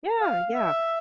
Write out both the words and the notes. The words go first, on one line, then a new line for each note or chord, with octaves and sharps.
Yeah, yeah,
F5
E5